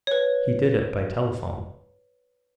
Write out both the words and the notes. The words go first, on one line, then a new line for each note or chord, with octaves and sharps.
He did it by telephone.
B4 C#5